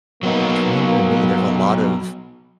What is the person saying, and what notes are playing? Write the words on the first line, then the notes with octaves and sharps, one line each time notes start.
between you and me, there's a lot of
F#3 A#3 B3 D#4